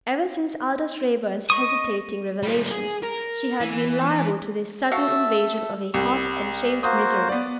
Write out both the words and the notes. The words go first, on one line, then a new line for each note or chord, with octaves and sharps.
Ever since Aldous Raeburn's hesitating revelations, she had been liable to this sudden invasion of a hot and shamed misery.
D#5 C#6 D#6
G3 F4
G#4
A#4
E3
A3 F#4 F5 E6
C2
A#3 F#4 C5 D#6
B3 D5